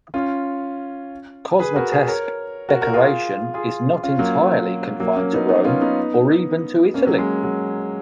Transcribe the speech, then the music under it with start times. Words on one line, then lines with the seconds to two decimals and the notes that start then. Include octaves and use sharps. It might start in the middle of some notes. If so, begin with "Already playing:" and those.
Cosmatesque decoration is not entirely confined to Rome, or even to Italy.
0.14 C#4 F4
1.59 G#4 B4
1.76 F#4 A#4
1.92 G#4 B4
2.08 A#4 C#5
2.69 F#4 A#4
2.81 F#4 A#4
2.93 F4 G#4
3.54 F4 G#4
4.03 C#4 F4
4.19 F#3 A#3
5.00 F#3 A#3
5.16 A#3 C#4
5.33 B3 D#4
5.49 B3 D#4
5.64 C#4 F4
5.81 B3 D#4
6.94 A#3 C#4
7.07 F#3
7.13 A#3
7.18 G#3
7.43 F#3